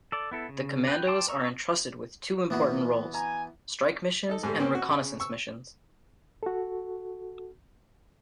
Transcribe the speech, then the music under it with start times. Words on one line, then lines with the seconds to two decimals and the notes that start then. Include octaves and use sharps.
The commandos are entrusted with two important roles: strike missions and reconnaissance missions.
0.12 A4 D5
0.31 B3 E4 A4
0.49 C#3
0.87 B4 G5
1.07 G5 A5 C6 D6
1.28 A#5 C#6 E6
2.50 A#2 E3 B3 F#4
3.14 G#5 A#5
4.29 D#4 A4
4.43 G#2 G3 A3
4.59 A#3 C4 C#4
4.75 F#4
4.89 C#3
5.20 C#6 E6
6.43 F#4 A4